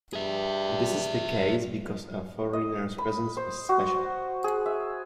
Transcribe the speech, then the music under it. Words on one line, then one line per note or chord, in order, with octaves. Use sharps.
This is the case because a foreigners presence was special.
G2 G#4 E5
D#5
B5
C5
F#4
G#4
E5